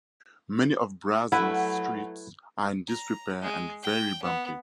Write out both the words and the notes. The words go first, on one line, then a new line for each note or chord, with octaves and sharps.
Many of Brazil's streets are in disrepair and very bumpy.
F#3 A3 E4 B4 F#5
A#5
G#3
G5
B3